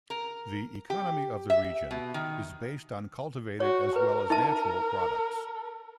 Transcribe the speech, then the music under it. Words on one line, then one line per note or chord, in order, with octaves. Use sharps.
The economy of the region is based on cultivated as well as natural products.
A#4
G4
E5
B2
D#3
F#4 C#5
A#4 B4
D#4 E5 A5